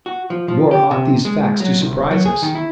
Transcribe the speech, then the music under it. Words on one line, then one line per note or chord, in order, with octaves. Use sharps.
Nor ought these facts to surprise us.
F#4
F3
F3
G4
C3
G#3
F#3
C2
F#3
G#4
D#3
E4